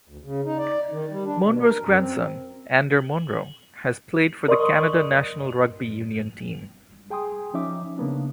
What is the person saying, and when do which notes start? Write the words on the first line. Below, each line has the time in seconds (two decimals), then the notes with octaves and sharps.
Monro's grandson, Ander Monro, has played for the Canada national rugby union team.
0.09 D2
0.24 C#3
0.45 D#4
0.58 D5
0.92 D#3
1.11 G3
1.25 D4
1.42 B2
1.61 A#4
1.83 F#2
1.97 C4
4.48 A#4 D5 D#5 C6 C#6 D#6
7.10 G#4 G5 G#5 C6 D#6
7.54 F3 C#4 D#4 E5 D6
7.98 C#3 A#3 B3 D4